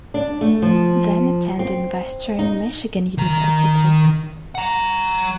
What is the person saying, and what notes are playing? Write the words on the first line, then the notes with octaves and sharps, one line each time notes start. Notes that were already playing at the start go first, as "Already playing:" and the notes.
Then attending Western Michigan University.
D4
A3
F3
C4
D#4
D#3 A#5
F#5 A#5